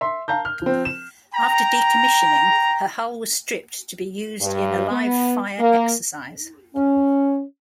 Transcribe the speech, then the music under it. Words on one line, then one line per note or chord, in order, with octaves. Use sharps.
After decommissioning her hull was stripped to be used in a live-fire exercise.
E5 C6
F5 A5 A#5 G6
F6
F3 C4
E7
G5 A#5
G2
B3
A#3
C#4